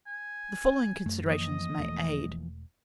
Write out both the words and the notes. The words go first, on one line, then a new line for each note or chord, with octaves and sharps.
The following considerations may aid.
G#5
F#2 A3
E3 F3 A#3 D#5
E1 A3